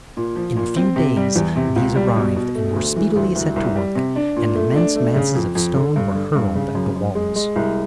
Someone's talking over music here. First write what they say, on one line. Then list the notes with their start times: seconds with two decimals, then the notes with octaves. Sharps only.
In a few days these arrived and were speedily set to work, and immense masses of stone were hurled at the walls.
0.17 A#2
0.36 F3
0.57 A#2
0.76 C4
0.96 C3
1.17 G3
1.36 E2
1.56 C3
1.76 C#2
1.96 G3
2.16 B2
2.36 B2
2.55 A3
2.76 D2
2.96 E3
3.16 D2
3.35 C2
3.56 C2
3.76 G3
3.95 C3
4.16 D4
4.36 A#2
4.55 A3
4.76 D4
4.96 A3
5.16 C#3
5.35 F2
5.55 F2
5.76 D3
5.96 G2
6.15 D3
6.35 G2
6.55 C#3
6.75 F#2
6.96 F#2
7.15 G#3
7.36 G#3
7.56 C2